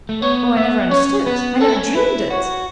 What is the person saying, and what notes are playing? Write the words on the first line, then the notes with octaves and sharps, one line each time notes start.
Oh, I never understood--I never dreamed it!
A3
B3 C#5
B3 E5
C#4 C#5
B3 B4
C#4 A4
E4
C#4
E4 B4
F#4 C#5